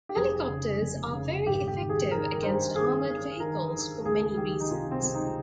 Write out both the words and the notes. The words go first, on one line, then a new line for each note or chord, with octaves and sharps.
Helicopters are very effective against armoured vehicles for many reasons.
G4
F1 G#4
C#3
F1
C#3
G#1 G4
G4
D#3
G#4
D#3 A#4
A#4
G2 C5
D#3 G#4
D#3
D#3 A#4
D#3
C#2 G#4
D#3 G4
D#4
C3 F4
C4
C#2
D#4